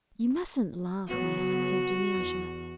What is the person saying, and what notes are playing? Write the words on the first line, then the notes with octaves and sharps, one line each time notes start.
"You mustn't laugh, Miss," said Dunyasha.
C#3 F#3 B3 F#4
E2